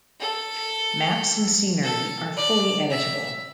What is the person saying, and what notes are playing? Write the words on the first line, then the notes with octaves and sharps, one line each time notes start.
Maps and scenery are fully editable.
A4
A4
D5
E5